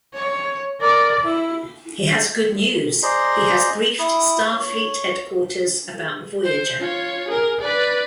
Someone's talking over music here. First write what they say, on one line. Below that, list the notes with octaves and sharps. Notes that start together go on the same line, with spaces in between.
He has good news, he has briefed Starfleet Headquarters about "Voyager".
C#5
A#4 D5
E4
G#4 C5 D5 D#5 A#5 C6
E4 D#6
C#5
C5
F4 C#5
G#4 A#4
B4 D5